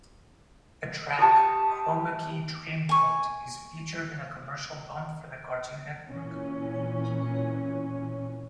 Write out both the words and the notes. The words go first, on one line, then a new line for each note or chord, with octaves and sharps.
The track "Chromakey Dreamcoat" is featured in a commercial bump for the Cartoon Network.
G4 A5 C#6 D#6
G#5 C#6
A#2 E3 C#4